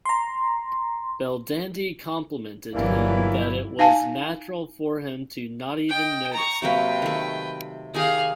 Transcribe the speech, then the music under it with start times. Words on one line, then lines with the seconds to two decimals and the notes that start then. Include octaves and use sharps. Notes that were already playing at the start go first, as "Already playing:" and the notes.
Belldandy complimented him that it was natural for him to not even notice it.
0.05 A#5 C6
2.74 G1 E3 F#3 A#3 E4 D5
3.79 D#4 F5 G#5 A5
5.89 D#5 G5
6.33 A#5 C#6
6.62 C3 F#3 A#3 B4 G5
7.02 D#3 A3
7.94 D#3 D#4 G4 G#4 F5